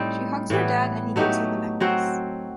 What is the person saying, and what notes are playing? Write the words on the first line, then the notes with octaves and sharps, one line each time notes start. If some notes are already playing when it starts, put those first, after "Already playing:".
She hugs her dad and he gives her the necklace.
Already playing: A2 G3 C4 D#4
A2 E3 G3 B3
F#3 A3 D#4 G4
F#3 C4 F#4 C5